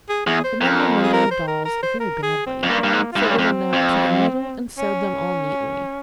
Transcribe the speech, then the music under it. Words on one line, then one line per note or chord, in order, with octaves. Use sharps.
The men were mending the dolls very badly, so little Nell took a needle and sewed them all neatly.
G#4
E2 G#4
C5
F2 A#4
A#4
G#4
A#4
C5
A#4
A#4
C5
A#4
G#4
C4
F2
G2 A#3
G2
G#2
G2 F4
G#2 E4
G2 C#4
F2 C4
F2
C#4